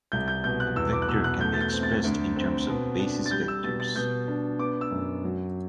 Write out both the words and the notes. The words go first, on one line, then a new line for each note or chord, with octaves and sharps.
A vector can be expressed in terms of basis vectors.
C2 G6
G6
B2 G6
F#6
E2 E6
D6
F#6
B2 E6
F#6
A3 G6
A6
G6
C4
A6
D2
C4
B2
D4
A6
G3 G6
E6
B2 A6
A6
B2 G6
D4
B3 D6
E6
F#2
F#3